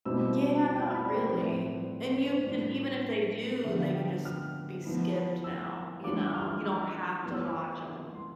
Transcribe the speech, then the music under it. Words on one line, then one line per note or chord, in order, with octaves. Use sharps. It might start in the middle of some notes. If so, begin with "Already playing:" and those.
Yeah, not really. And you can even if they do, they can just be skipped now, you know, you don't have to watch 'em.
B2 G3 C4 E4 E6
A5
G5
B5
D5
C5
A2 F3 A3 C4 E4 B4
D5
E5
C5
B4
C5
C5
A2 G3 D4 F4 D5
D3 F3 B3 E5
F5
G5
F6
F3 B3 E4
E6
E3 G3 D4 F4 D6
E6
F6
E6
E3 B3 F4 F6
E6
D6
C6